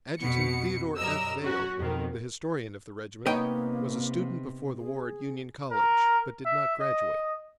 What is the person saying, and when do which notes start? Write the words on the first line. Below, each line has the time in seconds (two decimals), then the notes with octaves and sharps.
Adjutant Theodore F. Vaill, the historian of the regiment, was a student before the war at Union College, but did not graduate.
0.20 F2 B2 C#7
0.97 F#2 G3 A#4 D#5 E6
1.41 C#4 F#4
1.79 F2 B2 D#3
3.26 C3 A#3 B3 D#4 C#5 D#5 G5
4.77 G#4
5.71 A#4
6.45 E5
6.79 D#5